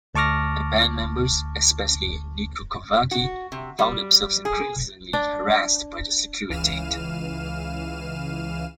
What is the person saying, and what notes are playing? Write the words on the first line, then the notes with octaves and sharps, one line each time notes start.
The band members, especially Nicu Covaci, found themselves increasingly harassed by the Securitate.
D2 A5 C#6 D6 F6 A#6
F#4
C3
G3
G#4
D4
C#2 E3 F5 F6 D#7 E7